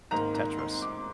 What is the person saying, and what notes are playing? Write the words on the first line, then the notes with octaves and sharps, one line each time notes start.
T Tetris,
G#2 D#3 A#3 A#5
A#5
C6
D6